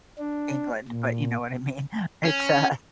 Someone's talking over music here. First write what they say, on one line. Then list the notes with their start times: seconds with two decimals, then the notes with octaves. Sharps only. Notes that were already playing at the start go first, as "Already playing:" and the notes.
England, but you know what I mean. It's uh
0.18 D4
0.88 A#2
2.25 C#4